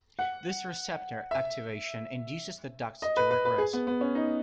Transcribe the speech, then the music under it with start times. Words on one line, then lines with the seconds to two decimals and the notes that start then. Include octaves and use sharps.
This receptor activation induces the ducts to regress.
0.19 F#5
1.31 E5
3.02 D#5
3.17 B4
3.31 B4
3.45 B4
3.58 G#4
3.73 B3
3.87 B3
4.01 C#4
4.15 D#4